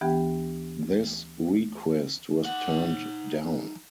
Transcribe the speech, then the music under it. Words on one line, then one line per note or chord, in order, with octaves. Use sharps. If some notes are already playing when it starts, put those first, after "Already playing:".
This request was turned down.
D2 E3 B3 G4 G5
D#4 F#5